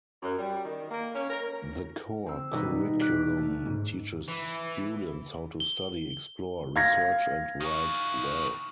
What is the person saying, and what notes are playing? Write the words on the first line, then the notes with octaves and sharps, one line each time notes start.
The core curriculum teaches students how to study, explore, research, and write well.
F#2
G3
D#3
A#3
C#4
A#4
C4 E6
D#1 B2 G3 D#4 B4
D6 F6 F#6 B6 D7
A3
G#2
E3
G7
F5 G#6 A#6
D#3 F#4